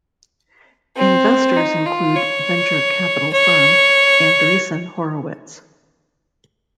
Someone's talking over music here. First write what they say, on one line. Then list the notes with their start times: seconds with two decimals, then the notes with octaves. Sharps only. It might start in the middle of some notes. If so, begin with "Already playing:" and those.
Investors include venture capital firm Andreessen Horowitz.
0.97 C4
1.56 D#4
1.86 F4
2.15 C#5
3.33 C#5